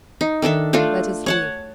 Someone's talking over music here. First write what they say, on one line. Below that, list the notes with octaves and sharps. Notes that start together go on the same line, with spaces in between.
Let us live.
D#4
D#3 D4 A4 E5
A3 D4 F4 A4
C#5 F#5 A5